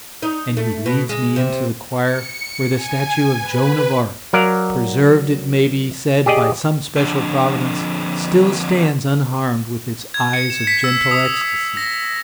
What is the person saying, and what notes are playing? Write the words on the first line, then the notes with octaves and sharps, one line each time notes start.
And he leads me into the choir where the statue of Joan of Arc, preserved it may be said by some special Providence, still stands unharmed, with its eyes of gentle ecstasy.
D#4
A3
B2
G#3
C3
C#7
G#5
B4
F#3 A#4 D5 F5
G4 G#4 D5 D#5
F2 D3
G#6
C#7
E7
B6
E6
D#6
D#6
A#6